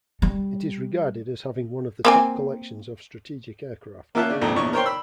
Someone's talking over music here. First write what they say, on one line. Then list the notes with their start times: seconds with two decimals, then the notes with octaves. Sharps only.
It is regarded as having one of the top collections of strategic aircraft.
0.22 G3
2.05 A#3 C4 G#5
4.15 A#3 C#4 F4 E5 F#5 A5
4.30 C#3 D4
4.41 A#1 F2 G#2 D4 A4 A#5
4.56 A#1 E2 D4 C#5 C#6
4.73 A#4 C5 C#5 G5 C6
4.86 B5 E6